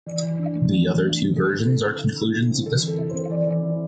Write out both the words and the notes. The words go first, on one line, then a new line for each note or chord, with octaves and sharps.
The other two versions are conclusions of this one.
E3 D5
E3
D4
A3
E3
E3
D4
A3
D3 A4
D3
E4
C4
D3
D3
E4
C4
E3 A4
E3
A4
E4
C4 C5
E3 D5
E3
E4